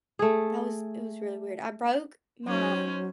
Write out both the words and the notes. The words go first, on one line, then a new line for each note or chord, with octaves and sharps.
that was it was really weird. I broke my
A3 G#4
F#3 C#4 D#4 C5